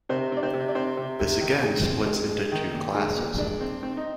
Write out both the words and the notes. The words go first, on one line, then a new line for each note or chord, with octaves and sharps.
This again splits into two classes.
C3 C4 C5
C4
D5
C4 C5
C3
D5
C4 C5
C3
C3
D#3
G#3
C4
G#3
G#3
D#3
A#2
G#3
A#2
G#3 D4
C4
C4
D#4